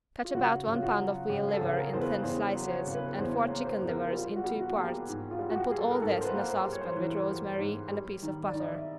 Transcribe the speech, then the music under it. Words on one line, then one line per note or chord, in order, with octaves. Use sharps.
Cut about one pound of veal liver in thin slices and four chicken livers in two parts and put all this in a saucepan with rosemary and a piece of butter.
F4
C#3 F#4
C#3
F4
F#4
F#3
C#3 G4
G#4
A4
C#3
A#4
E2 C5
B4
E2 C5
F#3
C#5
C#3
B4
E2 C5
C#5
A#3
C5
E2
A#4
G3 F4
F#4
G3
F#4
A#3 G#4
G4
G#2
F4
G3
F#4
G4
G3 G#4
A4
A#4
G#2 A4
C5
B4
A#3
C5
G3
C#5
C5
C#5
E3
G3
G#2
G3
D#3
D5
D#3
D#5
E5